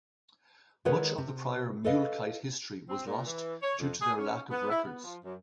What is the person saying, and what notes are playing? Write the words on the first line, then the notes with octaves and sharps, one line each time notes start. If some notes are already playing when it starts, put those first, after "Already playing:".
Much of the prior Mulekite history was lost due to their lack of records.
D#3 G#3 B4 C#5 F#5
C3
A4 B4 D#5 F5
C4
A#2
E3
C#5
F2
G#4
C#4
B3
E4
B3
F3
F#2